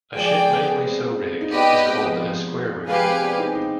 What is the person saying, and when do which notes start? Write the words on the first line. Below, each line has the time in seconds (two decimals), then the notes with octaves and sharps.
A ship mainly so rigged is called a square-rigger.
0.15 F3 G#3 G#4 D5 G5
0.46 G#3
0.49 G3 B3
0.84 G#3 C4
1.41 D#4
1.51 B3 D4 G4 B4 D#5 G5
1.69 B3 D4
1.86 G#3 C4
2.02 F3 G#3
2.20 F3
2.87 F3 G#3 G4 B4 F5 G#5
3.04 G#3 C4
3.21 B3 D4
3.38 C4 D#4
3.55 D#4 G4